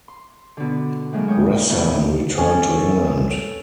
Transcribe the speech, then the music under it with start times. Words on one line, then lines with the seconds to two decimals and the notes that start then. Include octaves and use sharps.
Rassam returned to England.
0.08 C6
0.57 B2 D3
1.13 A2 F#3 G#3 A#3
1.28 C#5 G5 D#6
1.69 F2 A2 D#3 E3 C4
2.38 C#4 A4